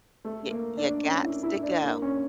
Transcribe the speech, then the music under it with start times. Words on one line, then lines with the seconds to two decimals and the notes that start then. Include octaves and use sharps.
you you gots to go.
0.25 A3
0.51 A#3
0.77 D4
1.04 C#4
1.23 E4
1.43 E4
1.63 D4
1.83 A#3
2.02 C#4